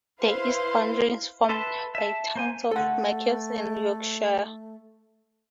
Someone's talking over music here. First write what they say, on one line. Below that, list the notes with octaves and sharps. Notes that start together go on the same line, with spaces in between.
The east boundary is formed by the towns of Machias and Yorkshire.
E4 B4 C5 F5 C6
A4 B4 E5 A5 C6
E5 A5
A#3 C5 G#5
A3 A4 F#5